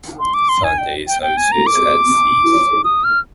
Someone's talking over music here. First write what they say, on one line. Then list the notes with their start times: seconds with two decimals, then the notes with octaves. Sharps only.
Sunday services had ceased.
0.20 C6
0.34 D6
0.49 C6
0.64 G#5
0.78 G5
1.07 G5
1.22 G5
1.37 G#5
1.52 A#5
1.67 D6
2.84 D#6
3.04 F6